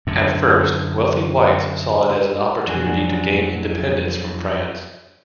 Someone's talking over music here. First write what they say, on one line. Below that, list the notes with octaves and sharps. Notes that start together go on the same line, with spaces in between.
At first, wealthy whites saw it as an opportunity to gain independence from France.
F#2 D3
F2 F3 F#3 D4 F#4 G#5